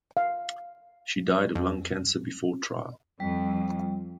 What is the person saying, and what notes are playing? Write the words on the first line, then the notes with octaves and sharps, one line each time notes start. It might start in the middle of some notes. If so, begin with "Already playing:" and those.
She died of lung cancer before trial.
F5
F2
F2 G3